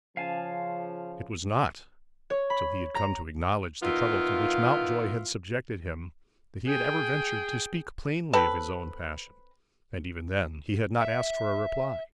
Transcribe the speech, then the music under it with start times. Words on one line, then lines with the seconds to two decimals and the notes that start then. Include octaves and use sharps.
It was not till he had come to acknowledge the trouble to which Mountjoy had subjected him that he had ever ventured to speak plainly of his own passion, and even then he had not asked for a reply.
0.17 C#3 F3 F5 G#5 A5
2.30 C#5
2.50 B5
2.95 A#5
3.82 D#3 B3 E4 F4
6.66 G#4 G5
8.33 C4 A4 B4
11.01 E5